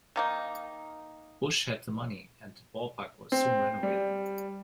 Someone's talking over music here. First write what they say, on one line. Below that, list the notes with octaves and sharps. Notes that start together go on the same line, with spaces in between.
Busch had the money, and the ballpark was soon renovated.
D#3 A#3 D#4
C4
G3